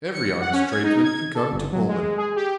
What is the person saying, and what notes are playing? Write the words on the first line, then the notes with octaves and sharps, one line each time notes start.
Every honest tradesman can come to Pullman.
C#7
F#5
C#4
G#6
D#4
G#6
A4
G1
F#3
G#3
G#4
G4